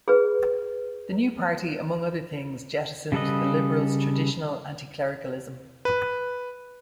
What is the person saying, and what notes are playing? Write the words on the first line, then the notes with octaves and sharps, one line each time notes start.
The new party, among other things, jettisoned the Liberals' traditional anti-clericalism.
G#4 B4
C#3 G3 A4 B4 D#5
B4